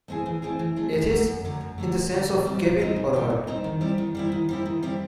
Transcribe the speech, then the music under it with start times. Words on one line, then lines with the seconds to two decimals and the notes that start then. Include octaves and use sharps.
"Athis" in the sense of "cabin or hut".
0.08 A3 C4 E4 G#4
0.26 E3
0.42 A3 C4 E4 G#4
0.59 E3
0.76 A3 C4 E4 G#4
0.93 F#2
1.10 D3 F#3 A3
1.27 F#2
1.44 D3 F#3 A3
1.61 F#2
1.78 D3 F#3 A3
1.95 F#2
2.11 D3 F#3 A3
2.29 A#2
2.45 G3 C4 D#4
2.63 A#2
2.79 G3 C4 D#4
2.96 A#2
3.13 G3 C4 D#4
3.30 A#2
3.47 G3 C4 D#4
3.64 D#3
3.81 G3 C4 E4
3.98 D#3
4.15 G3 C4 E4
4.32 D#3
4.49 G3 C4 E4
4.66 D#3
4.82 G3 C4 E4